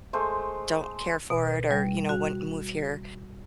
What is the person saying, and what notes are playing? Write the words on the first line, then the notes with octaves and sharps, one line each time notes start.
don't care for it or, you know, wouldn't move here
G#3 A3 C5
B2
G3
F#4